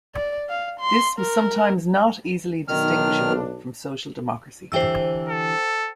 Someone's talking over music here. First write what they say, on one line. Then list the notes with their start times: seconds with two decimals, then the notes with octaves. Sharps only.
This was sometimes not easily distinguishable from social democracy.
0.15 D5
0.49 F5
0.80 C6
1.19 A#4
2.68 B1 D#3 D4 F6
4.72 D3 E3 G4 C5 G5 E6
5.28 A4